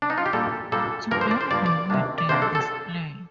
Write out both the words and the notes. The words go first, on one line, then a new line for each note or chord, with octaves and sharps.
Together they made the display.
D4
D#4
F4
G4
A#2 G3 A#3 D4 A4
A#2 G3 A#3 D4 A4
G2 F3 A#3 A#4
C5
D5
C5
G2 F3 A#3 D5
D5
C3 D#3 A#3 D4
D5
C3 D#3 A#3 D4 C5
A4
A4